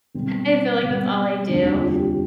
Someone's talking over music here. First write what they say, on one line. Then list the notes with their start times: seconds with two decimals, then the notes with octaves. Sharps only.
I feel like that's all I do.
0.14 B1 B2 G3 C4
0.82 B1 B2 G3
1.49 F1 D#2 D3 G3 D4
1.72 F4
1.94 G4